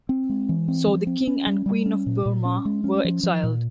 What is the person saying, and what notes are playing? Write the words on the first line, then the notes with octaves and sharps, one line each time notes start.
So the king and queen of Burma were exiled.
C4
G#3
E3
C4
F3
C4
C#4
G3
G3
C#4
A#2
A#2
C#4
G#3
C#4
F3
F3
A#2